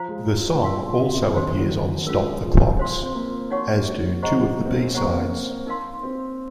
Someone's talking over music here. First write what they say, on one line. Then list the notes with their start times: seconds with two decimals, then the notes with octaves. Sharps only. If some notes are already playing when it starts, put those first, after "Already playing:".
The song also appears on "Stop the Clocks", as do two of the B-sides.
Already playing: F3 C5 F5 A#5
0.08 G#3
0.27 A#2
0.63 A#2 A#4 F5 C6
0.88 A#2
0.98 C3
1.34 D#3 C#4 F#4 C5
1.46 D#3
1.58 F#3
1.71 F#3
2.07 G#3 C#4 F4 A#4
2.43 F3
2.79 F3 C5 F5 C6
2.91 F3
3.02 C4
3.15 A#3
3.50 D#4 F#4 C#5 F#5 C#6
3.87 F#3
4.22 G#3 C5 D#5 F#5 A#5 C#6
4.59 A#3
4.66 C4
4.71 C#4
4.83 C4
4.94 C4 C5 F#5 A#5 C#6
5.04 A#3
5.13 C4
5.22 C#4
5.67 D#4 A#4 F5 C6
6.03 C4